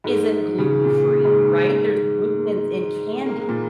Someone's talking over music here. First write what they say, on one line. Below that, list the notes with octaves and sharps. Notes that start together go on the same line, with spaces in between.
isn't gluten free, right? There's gluten in in candy,
G#2 G#3
C#3
A#2
G#2 G#3
A#3
G#3
A#2 A#3